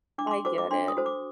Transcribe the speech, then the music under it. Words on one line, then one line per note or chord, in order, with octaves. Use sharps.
I get it.
D4 D6
C6
D6
F#4 A4 C5 D6
D6
D4 C6
D#6
F#4 A4 C5
D6